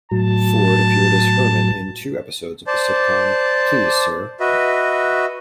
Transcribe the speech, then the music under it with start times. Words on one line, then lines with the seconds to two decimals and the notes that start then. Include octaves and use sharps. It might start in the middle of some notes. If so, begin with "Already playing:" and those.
Forde appeared as Herman in two episodes of the sitcom "Please Sir!".
0.11 A2 F#3 A5
2.67 C5 D5 A5
4.40 F#4 B4 D#5 E5